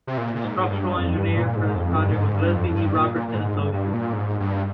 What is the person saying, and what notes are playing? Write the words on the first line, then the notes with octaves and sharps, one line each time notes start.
The structural engineer for this project was Leslie E. Robertson Associates.
C3
A#2
A#2
G#2
G2
F2
G2
A#2
G#2
F2
G2
A#2
G#2
G2
F2
G2
A#2
A#2
A#2
G#2
G2
G2
A#2
G#2
G2